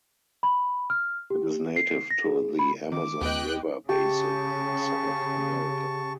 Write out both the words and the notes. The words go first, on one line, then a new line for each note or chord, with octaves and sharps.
It is native to the Amazon River basin in South America.
B5
F6
G4
C7
A#6
G#4
B5
D#3 D6
D#2 B3 D#5 G5 F#6
C#3 G4 A5 C#6